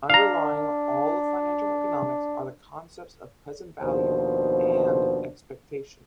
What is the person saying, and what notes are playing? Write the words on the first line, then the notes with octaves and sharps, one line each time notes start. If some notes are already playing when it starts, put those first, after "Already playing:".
Underlying all of financial economics are the concepts of present value and expectation.
D4 F5 A#5
D#2 B2 F3 D4 C5